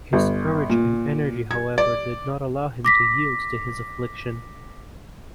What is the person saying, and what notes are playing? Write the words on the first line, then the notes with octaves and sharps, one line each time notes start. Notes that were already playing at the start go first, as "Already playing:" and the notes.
His courage and energy, however, did not allow him to yield to his affliction.
G1
A#2
G#6
D5
D6 A#6 B6